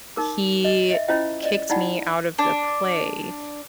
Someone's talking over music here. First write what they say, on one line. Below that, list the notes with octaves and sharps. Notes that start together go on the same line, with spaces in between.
…he kicked me out of the play,
D#4 A#4 D6
D#5
D#5 E5
C#4 E4 F4 C5 D#5 G5
D5 D#5
D#4 E4 D5 F#5 G5 B5
D4